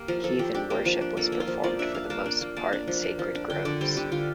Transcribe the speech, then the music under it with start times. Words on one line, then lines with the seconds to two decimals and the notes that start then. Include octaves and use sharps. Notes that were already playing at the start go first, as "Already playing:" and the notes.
Heathen worship was performed for the most part in sacred groves.
Already playing: A#3 G4
0.08 F3 A#4
0.24 F3 A4
0.39 F3 G4
0.55 D4 G4
0.70 A#3 G4
0.86 F3
1.01 D4
1.17 A#3 A4
1.32 A#3
1.40 F4
1.48 F3
1.64 F3 D5
1.79 D4 E5
1.94 D4 F5
2.10 A#3 A5
2.26 D4
2.41 A#3
2.56 A#3 A5
2.73 D4
2.88 F3
3.03 A#3
3.19 F3
3.35 D4
3.50 D3 G5
3.65 D3 D5
3.81 G3 C5
3.97 D3 G4
4.12 D3 F4